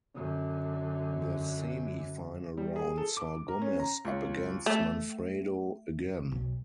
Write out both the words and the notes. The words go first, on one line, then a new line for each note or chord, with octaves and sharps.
The Semi-Final round saw Gomez up against Manfredo again.
F#2 D3
G3
G#4
A4
D6
A#4
C#4
A#5
C#2
A3
B1